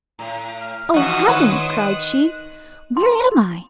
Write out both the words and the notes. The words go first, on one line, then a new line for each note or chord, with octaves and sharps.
"Oh, heaven!" cried she, "where am I?"
A2 A#5
F6
E3 F3 D#4 F#4 D#6 E7
D#3 B4 C#5 F#5 C6
F#6
C6